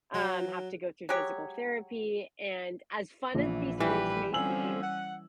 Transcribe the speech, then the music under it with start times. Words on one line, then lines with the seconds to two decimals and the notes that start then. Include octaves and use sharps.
um, have to go through physical therapy, and as fun as these sports may seem,
0.14 F#3
1.09 F#3 G#3 G4 C#5
3.35 A#1 E3
3.80 E3 G3 B4
4.33 D3 F3 G3 C4 C#4 G#5 E6 F#7
4.82 F#5